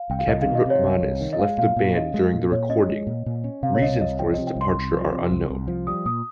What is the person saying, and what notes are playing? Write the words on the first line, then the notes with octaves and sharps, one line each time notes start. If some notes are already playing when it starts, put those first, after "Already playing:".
Kevin Rutmanis left the band during the recording; reasons for his departure are unknown.
Already playing: F5
C2 G5
F5
C2 D#5
D#3 F5
D#5
C3 C#5
C2
C2
D#3
D#5
G#3 F5
A#2 F5
A#2
C#4 D#5
G#3
A#2
A#2 C#5
C#4 D#5
G#3
A#2
A#2
C#4
C3 F5
C#5
C2 D#5
C2 D#5
F3 G5
C3 D#5
G5
C2 C6
C2
F3
C3
C2
C2
F3
G3 D#6
A#2 D#6